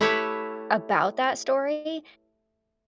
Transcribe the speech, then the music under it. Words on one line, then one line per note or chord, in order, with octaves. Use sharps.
about that story
A3 E4 G4 B4 C#5 E5